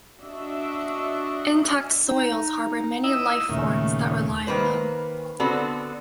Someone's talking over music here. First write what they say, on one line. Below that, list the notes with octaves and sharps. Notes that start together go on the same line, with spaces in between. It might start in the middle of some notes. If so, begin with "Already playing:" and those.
Intact soils harbor many life-forms that rely on them.
D4 F#4 D#5 E5
D#4
E4 D#5 E6
D#2 A#2 C#3 A3
D#3 A#3 B4 C5
D3 B3 C4 F#4 A4